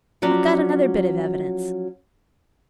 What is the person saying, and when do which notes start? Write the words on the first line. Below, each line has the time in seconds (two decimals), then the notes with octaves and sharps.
I've got another bit of evidence.
0.22 F3 F#3 C#4 D5